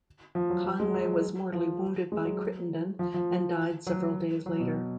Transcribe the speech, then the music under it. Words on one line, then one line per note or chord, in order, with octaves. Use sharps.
Conway was mortally wounded by Crittenden and died several days later.
F3
F#3
F3
G#3
F#3
F3
G#3
F#3
F3
F3
F#3
F#3
B2